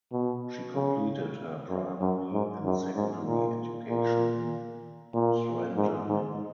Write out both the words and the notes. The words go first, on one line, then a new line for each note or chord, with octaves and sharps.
She completed her primary and secondary education in Zrenjanin.
B2
C#3
F#2
F#2
G#2
F#2
G#2
A#2
A#2
A#2
G#2
G#2